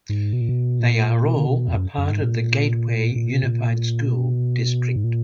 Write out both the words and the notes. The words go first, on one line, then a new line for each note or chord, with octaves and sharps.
They are all a part of the Gateway Unified School District.
G#2
B2
A#2
B2
A#2
B2
D3
B2
F2
F#2
F#2
G#2
A#2
A#2
B2
A#2
B2
G#2
A#2